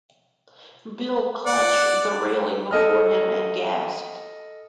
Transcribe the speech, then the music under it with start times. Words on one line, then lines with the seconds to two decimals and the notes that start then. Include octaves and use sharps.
Bill clutched the railing before him and gasped.
1.46 D5 F#5
2.71 A4 D#5 F6